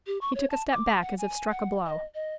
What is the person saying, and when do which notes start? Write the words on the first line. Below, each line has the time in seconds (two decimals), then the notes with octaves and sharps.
He took a step back as if struck a blow.
0.07 G4
0.21 C#6
0.35 C#5
0.50 A5
0.71 D6
1.01 F#5
1.18 G#5
1.51 F#5
1.86 D#5
2.15 D#5